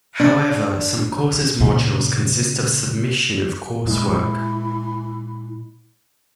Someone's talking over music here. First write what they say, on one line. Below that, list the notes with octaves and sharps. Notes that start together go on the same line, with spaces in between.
However, some courses' modules consist of submission of coursework.
D4
A#2 C#3
A#2 G#3 E4